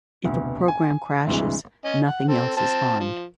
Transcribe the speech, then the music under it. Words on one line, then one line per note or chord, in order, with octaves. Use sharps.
If a program crashes, nothing else is harmed.
F1 D2 B2
G#5
D2 G2 C3 E3 G#3
C#4 D#5
F#5
C4 A4
C4 A5
F3